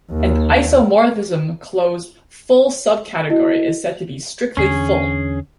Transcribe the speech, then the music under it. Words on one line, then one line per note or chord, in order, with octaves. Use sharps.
An isomorphism-closed full subcategory is said to be strictly full.
D#2
E4 F#4 D#5
E2 D3 C#4 G#4